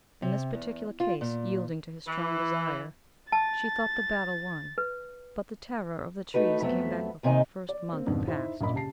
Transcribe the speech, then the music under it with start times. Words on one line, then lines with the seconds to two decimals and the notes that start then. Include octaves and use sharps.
In this particular case, yielding to his strong desire, she thought the battle won, but the terror of the trees came back before the first month had passed.
0.22 C3
0.54 E2
1.00 F4
1.21 A#2
2.07 E3
3.32 A5 A6
4.78 B4
6.34 A3 D#4 F#4 B4
6.61 F2 F#3 A3 B3 E5
7.23 D#2 C3 D#3 D#4 G#5
7.69 D5
7.93 A#3 C4
8.07 F2 G#2 B2 D#3 D4
8.27 D#4 E4 C5 E5
8.61 A#1 F#2 A#2 A#3 D#5 B5
8.74 C#3 G4 A5 C7